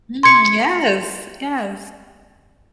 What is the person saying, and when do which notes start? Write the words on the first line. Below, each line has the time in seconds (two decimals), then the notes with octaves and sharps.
Mm, yes, yes.
0.23 C6 G#6 C#7